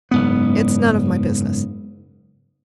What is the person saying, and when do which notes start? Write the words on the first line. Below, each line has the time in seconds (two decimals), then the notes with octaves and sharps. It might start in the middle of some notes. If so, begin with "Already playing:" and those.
It's none of my business.
0.11 F#1 G#2 B3